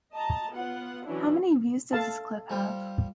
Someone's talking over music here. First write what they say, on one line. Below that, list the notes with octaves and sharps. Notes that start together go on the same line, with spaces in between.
How many views does this clip have?
D#5 A5 A#5
B3 F4 F#5
E3 F#3 C#4 D4 E4
A4 F5 A5
F3 G3